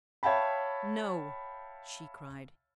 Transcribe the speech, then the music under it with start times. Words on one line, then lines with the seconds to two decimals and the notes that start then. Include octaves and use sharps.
"No!" she cried.
0.23 C#5 E5 F5 G5 A5 B5